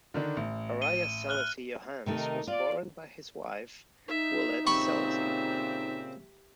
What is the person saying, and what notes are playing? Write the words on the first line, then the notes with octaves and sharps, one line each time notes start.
Araya Selassie Yohannes was born by his wife Wolete Selassie.
D3 D#3 D4
A1
D#7 G7
F6 F#6 G7
C3 D#3 A3 D#4 A#4
F4 D5
D#4 E5
A#2 C#3 C4 G4 E5 B5 C#6